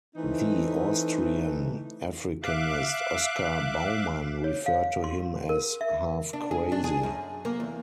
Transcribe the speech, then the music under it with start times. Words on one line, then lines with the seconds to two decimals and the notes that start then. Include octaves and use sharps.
The Austrian Africanist Oscar Baumann referred to him as "half crazy".
0.15 E3 A3 C4 D#4
2.43 E5 F5 D6 F#6
4.44 C#5
4.66 F5
5.04 C6
5.49 A#4
5.81 E5
6.33 D4
6.51 G#4
6.72 D4
6.84 G#4
7.03 F#2
7.45 A#3
7.60 E2